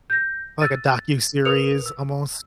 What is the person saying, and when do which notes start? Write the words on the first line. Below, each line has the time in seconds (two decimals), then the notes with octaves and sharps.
Like, a docuseries almost?
0.10 G6 A#6
0.60 E6 F#6 A6 D#7
1.45 A#4 B4 D#6 C#7 F7
1.86 E6